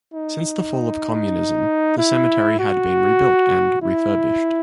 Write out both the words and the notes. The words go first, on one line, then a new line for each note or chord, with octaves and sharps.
Since the fall of communism, the cemetery had been rebuilt and refurbished.
D#4
E4
F#4
E4